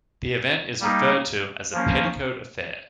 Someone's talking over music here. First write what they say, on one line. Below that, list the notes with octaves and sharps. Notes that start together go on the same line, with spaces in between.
The event is referred to as the Petticoat affair.
G3 A#3 D#4
F3 A#3 C#4